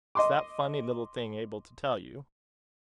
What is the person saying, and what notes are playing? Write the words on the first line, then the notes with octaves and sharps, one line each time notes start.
"Is that funny little thing able to tell you?"
D#5 C6 D6